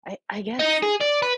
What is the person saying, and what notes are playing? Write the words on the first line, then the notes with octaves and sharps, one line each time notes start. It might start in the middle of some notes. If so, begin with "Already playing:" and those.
I I guess,
D#4
G#4
D5
B4